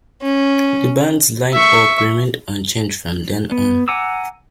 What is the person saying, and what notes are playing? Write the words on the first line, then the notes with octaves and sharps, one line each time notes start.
The band's lineup remained unchanged from then on.
C#4
E5 C#6
B3
F#5 G#5 A#5 D6 E6